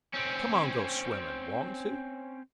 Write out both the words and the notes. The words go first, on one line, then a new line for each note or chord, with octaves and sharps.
"Come on go swimmin'--want to?"
C4 C#4